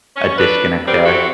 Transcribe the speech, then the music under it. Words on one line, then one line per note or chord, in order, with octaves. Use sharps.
a disconnect there.
C#4
D4 A4 B4
G3 B3 C4 A#4 D5
C4 E4 F#4 G4 A4